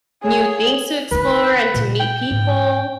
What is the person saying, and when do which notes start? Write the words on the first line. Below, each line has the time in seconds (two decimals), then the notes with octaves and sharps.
new things to explore, and to meet people,
0.24 G#4 C#5
1.11 D#3 D#4 B4
1.74 A#2
2.00 G5
2.31 G#2